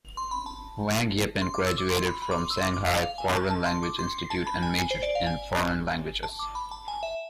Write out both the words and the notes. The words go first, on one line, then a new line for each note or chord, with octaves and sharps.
Wang Yeping graduated from Shanghai Foreign Language Institute and majored in foreign languages.
C6
B5
A5
C6
D6
E6
D6
C6
B5
B5
D6
C6
E6
C6
D6
D6
F5
F5
G#5
A5
A5
C6
D6
C6
A5
B5
G#5
G#5
C5
D5
F5
G#5
A5
D6
B5
A5
G#5
E5